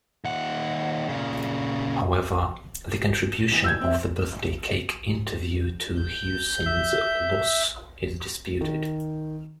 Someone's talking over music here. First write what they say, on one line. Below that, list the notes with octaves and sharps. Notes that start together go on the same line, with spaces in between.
However, the contribution of the birthday cake interview to Hewson's loss is disputed.
D#2 F#5
A#2 C#3
D#2 E3 B3
E6 G6 G#6
C4 E5
G6
E5
D#3